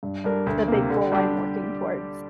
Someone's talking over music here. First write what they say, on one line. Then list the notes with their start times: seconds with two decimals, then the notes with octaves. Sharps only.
the big goal I'm working towards.
0.03 G2
0.24 G3 D4 A#4
0.46 D2
0.68 C3 A#3
0.90 D3
1.12 G3 D4 G4